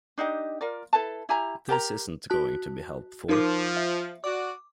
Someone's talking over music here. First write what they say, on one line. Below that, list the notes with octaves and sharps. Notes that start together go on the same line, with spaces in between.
This isn't going to be helpful.
D4 D#4 G4 D#5
F4 A#4 D5
E4 A4 B4 A5
E4 G4 G#5 A#5
G4 A#4 A5 A#5
F#4 A5 F#6
F3 D#4 A#4 D6
E5
F#4 D5 D6